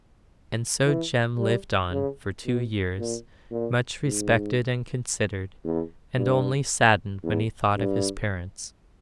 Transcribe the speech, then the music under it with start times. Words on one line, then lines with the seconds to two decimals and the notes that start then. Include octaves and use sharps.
And so Jem lived on for two years, much respected and considered, and only saddened when he thought of his parents.
0.86 E3
1.38 G3
1.92 C#3
2.45 B2
2.99 A#2
3.51 A#2
4.05 G#2
5.64 E2
6.17 G2
7.23 E2
7.77 G2